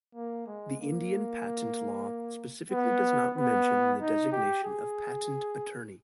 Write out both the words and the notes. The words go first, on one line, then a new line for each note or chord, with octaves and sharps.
The Indian Patent Law specifically does not mention the designation of "Patent Attorney".
A#3
G#3
A#3
B3
B3
D#4
G4
G#4